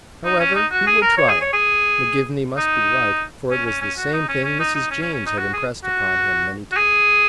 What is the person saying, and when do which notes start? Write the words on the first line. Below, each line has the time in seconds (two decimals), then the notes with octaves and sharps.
However, he would try it; McGivney must be right, for it was the same thing Mrs. James had impressed upon him many times.
0.25 D#4
0.40 C#4
0.55 D#4
0.71 F#4
0.87 G#4
1.02 A#4
1.18 C#5
1.29 G#4
1.41 C#5
1.53 G#4
2.57 D#4
3.51 C#4
3.67 C#4
3.81 C#4
3.98 F#4
4.13 D#4
4.29 C#4
4.44 C#4
4.60 D#4
4.75 D#4
4.91 C#4
5.02 C#4
5.14 C#4
5.26 D#4
5.38 F#4
5.53 G#4
5.84 F#4
6.72 F#4
6.77 G#4